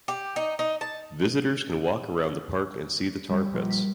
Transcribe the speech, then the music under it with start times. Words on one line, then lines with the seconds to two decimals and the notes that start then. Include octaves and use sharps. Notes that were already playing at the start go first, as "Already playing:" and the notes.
Visitors can walk around the park and see the tar pits.
0.08 G4
0.36 D#4
0.59 D#4
0.81 A5
3.30 G3
3.53 A#1
3.70 B6